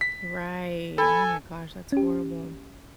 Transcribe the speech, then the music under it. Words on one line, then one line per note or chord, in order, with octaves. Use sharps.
Right, oh my gosh, that's horrible.
B6
A4 G#5 B5
C#4 G4